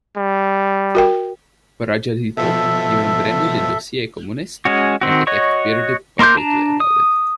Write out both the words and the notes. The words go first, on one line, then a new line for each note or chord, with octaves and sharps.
Prajadhipok even branded the dossier "communist" and attacked Pridi publicly about it.
G3
F#4 A#4 G5
B2 F3 A4 E5
G#3 C#4 F#4
D#3 C4 F#4
F#4 C#5 D#5 C#6
A#3 A#4 C6 D6 G6
D4 A5 A#5
D#6